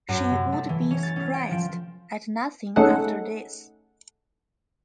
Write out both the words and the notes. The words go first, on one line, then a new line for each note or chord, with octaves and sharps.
She would be surprised at nothing after this!
F#2
C3
A3
E3
C#4
A6
C#4
G5
F3
A3 C#4 D#4 G#4 A4 F#5